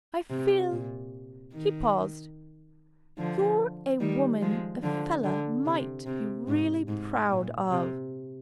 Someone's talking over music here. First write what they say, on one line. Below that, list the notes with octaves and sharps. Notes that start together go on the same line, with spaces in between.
I feel'--he paused--'you're a woman a fellah might be really proud of.'
C3
A#2
D#3
D3 F3
D#3 G3
F3 G#3
D3 F3
D3
C3
C3
G#2
G#2
A#2
C3